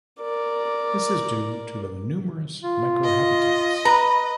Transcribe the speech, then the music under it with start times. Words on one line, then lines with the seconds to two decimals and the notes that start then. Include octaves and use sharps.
This is due to the numerous microhabitats.
0.21 A#4 D5
2.64 F4
3.04 D#5
3.85 B4 A#5